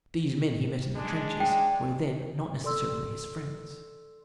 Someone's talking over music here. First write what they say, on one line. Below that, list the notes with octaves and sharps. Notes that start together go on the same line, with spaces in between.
These men he met in the trenches were then not necessarily his friends.
G#3 D4
G5
A4 D5 C6 E6